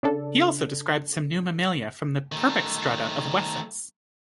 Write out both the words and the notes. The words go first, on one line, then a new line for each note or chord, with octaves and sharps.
He also described some new mammalia from the Purbeck strata of Wessex.
C#3 D4 A4
D#3 A3